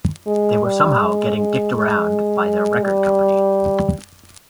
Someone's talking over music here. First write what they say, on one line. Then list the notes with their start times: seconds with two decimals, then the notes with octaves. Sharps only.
They were somehow getting dicked around by their record company.
0.26 G#3
0.64 G3
1.00 G#3
1.37 G#3
1.74 G#3
2.83 G3